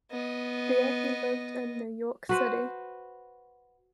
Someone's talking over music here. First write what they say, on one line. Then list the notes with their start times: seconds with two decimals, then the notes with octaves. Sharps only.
There he lived in New York City.
0.11 B3 D#5
2.29 F#4 B4 C5